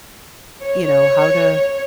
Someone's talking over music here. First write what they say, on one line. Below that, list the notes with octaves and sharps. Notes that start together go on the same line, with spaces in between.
you know, how to
C#5